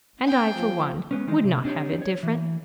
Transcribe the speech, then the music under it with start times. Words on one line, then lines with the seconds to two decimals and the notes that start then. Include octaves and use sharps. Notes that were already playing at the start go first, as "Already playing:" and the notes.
And I, for one, would not have it different.
0.23 G#4 G5
0.56 F3
1.11 G#3 B3 C#4
1.27 D#3 E3 G#3 D#4
1.44 C3
1.64 C4 D4 D#4 G4 C#5
2.02 C#5
2.23 E3